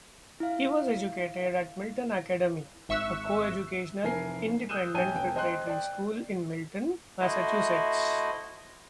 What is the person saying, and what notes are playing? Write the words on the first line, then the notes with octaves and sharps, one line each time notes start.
He was educated at Milton Academy, a coeducational, independent preparatory school in Milton, Massachusetts.
E4 F5
G#1 E5 C#6 E6 F#6
F1 E3 A#4 G#5 C7
D#6 E6 F#6 G6 D#7 E7
A#1 C#5 G5 G#5 G6 D#7
E1 G5
C5 D#5 G5 C6 F#6
D5 G5
A3 E4 F#4 C5 D#5